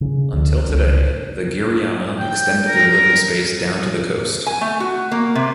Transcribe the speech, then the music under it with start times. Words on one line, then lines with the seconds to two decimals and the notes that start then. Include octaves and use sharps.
Until today, the Giriama extended their living space down to the coast.
0.01 C#3
0.33 D2
0.69 C#2
2.19 G5
2.67 A#4
4.47 G#5
4.61 A3
4.80 F#4
5.12 A#3
5.35 C3